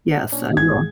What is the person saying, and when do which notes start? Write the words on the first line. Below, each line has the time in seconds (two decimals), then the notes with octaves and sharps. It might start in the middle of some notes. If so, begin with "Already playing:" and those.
Yes. I will.
0.32 A#2 C#4 D4
0.57 G#1 G#2 G#4 G#6